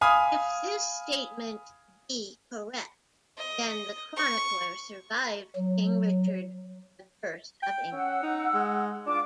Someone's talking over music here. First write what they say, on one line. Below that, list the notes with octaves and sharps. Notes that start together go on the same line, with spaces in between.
If this statement be correct, then the chronicler survived King Richard I of England.
F5 G#5 B5 D#6 F6
D#5
C#6
F#3
G5
C#4 F#5 E6
D#4
G#3
D4 F4 D6